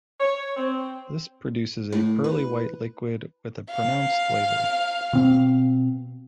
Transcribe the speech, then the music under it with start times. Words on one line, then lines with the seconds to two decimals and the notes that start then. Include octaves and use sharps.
This produces a pearly-white liquid with a pronounced flavor.
0.20 C#5
0.57 C4
1.92 A2
2.24 B4
3.71 F5
5.13 B2 C4